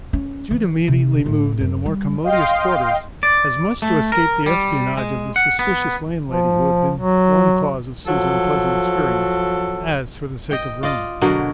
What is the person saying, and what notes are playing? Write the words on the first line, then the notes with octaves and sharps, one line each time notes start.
Jude immediately moved into more commodious quarters, as much to escape the espionage of the suspicious landlady who had been one cause of Sue's unpleasant experience as for the sake of room.
C#4
E3
C3
A2
F#2
G3
D#5 F5 G5 C6
D5
A3
A#4
G3
G#3
F#5
B3
F3
F#3
F3 F#3 A4
D#5 G5
F4 D5 D#5
B2 D3 F#3 A#4